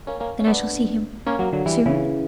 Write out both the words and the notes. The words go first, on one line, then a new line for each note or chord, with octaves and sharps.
"Then I shall see him ... soon?"
A#3 C#4
A#3 C#4
C#4
B3 D4
A#3 C#4
F#3 A#3
D3 F#3
E3 G3
C#3 E3